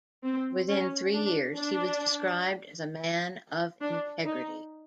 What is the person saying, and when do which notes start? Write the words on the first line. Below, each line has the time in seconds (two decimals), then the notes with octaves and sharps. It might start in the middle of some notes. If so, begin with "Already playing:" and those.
Within three years he was described as a man of integrity.
0.24 C4
0.68 C#4
1.14 D4
1.57 D4
3.81 D4
4.26 D#4